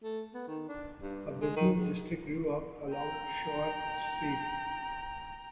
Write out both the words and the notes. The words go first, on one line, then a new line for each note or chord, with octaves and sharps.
A business district grew up along Choate Street.
A3
B3
D#3
D4
G2
G2
G#3
D#3
G#2
G5 A#5